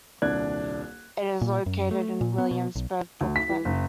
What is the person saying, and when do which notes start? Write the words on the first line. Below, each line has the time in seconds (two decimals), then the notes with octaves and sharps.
It is located in Williamsburg, Brooklyn.
0.22 D#1 C2 D4 F#6 G#6
1.41 A#2
1.66 F#2
1.91 A3
2.21 A#2
2.38 B3
2.51 B2
2.75 B1
3.21 D2
3.36 B6
3.49 E3
3.65 F#1